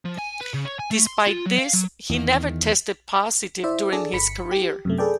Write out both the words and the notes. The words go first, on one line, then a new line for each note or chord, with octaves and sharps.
Despite this, he never tested positive during his career.
F3
G#5
B4
C#3
C#5
G#5
A3
C6
F4
F#3
F5
F#3
E2 D#3
E4 C5 D5 E5
D4 G#4 A4 D5
G1 B5 B6 C#7
G4
F#2 C3 A3
G#4 A4 B4 D5 G5